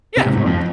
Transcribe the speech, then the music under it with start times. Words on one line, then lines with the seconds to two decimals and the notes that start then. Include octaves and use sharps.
Yeah, of course.
0.17 C3
0.26 G#2
0.37 G#2
0.46 F2